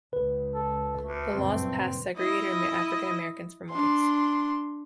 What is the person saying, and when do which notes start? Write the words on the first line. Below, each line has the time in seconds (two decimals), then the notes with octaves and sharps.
The laws passed segregated African Americans from Whites.
0.13 C#2 B4
0.55 A4
1.04 D2 A3
1.35 F#1 G2 A#2 C4
2.17 E4 D#5
3.71 D4 C6